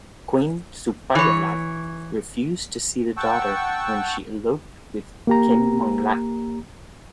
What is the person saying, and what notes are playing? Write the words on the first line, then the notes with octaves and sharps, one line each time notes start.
Queen Supayalat refused to see the daughter when she eloped with Khin Maung Lat.
E3 C#5
F#5 G5 A5 C#6 E6
A#3 G4 A#5